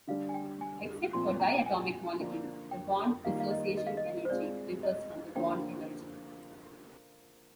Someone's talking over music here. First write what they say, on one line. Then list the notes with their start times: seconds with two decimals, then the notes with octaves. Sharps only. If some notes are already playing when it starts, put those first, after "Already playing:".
Except for diatomic molecules, the bond-dissociation energy differs from the bond energy.
0.07 D3 G3 D4 F5
0.29 G#5
0.34 G5
0.61 G#5
1.13 A#2 F3 C4 F4 C6
1.40 A#5
1.58 G5
1.66 G#5
2.19 D3 F3 A#3 D4
2.71 G5
3.25 D#3 G3 A#3 F4 F5
3.40 F5
3.51 D#5
3.78 D#5
3.87 F5
3.97 D#5
4.25 C5
4.30 G#3 C4 F4 D5
4.83 D#5
5.35 D3 F3 A#3 F4 C5 G5